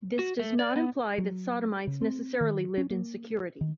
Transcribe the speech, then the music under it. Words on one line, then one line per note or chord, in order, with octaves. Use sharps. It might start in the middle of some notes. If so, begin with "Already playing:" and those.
This does not imply that sodomites necessarily lived in security.
F#4
A3
D5
B3
F#3
C#3
C4
D#3
C#4
A#3
D#3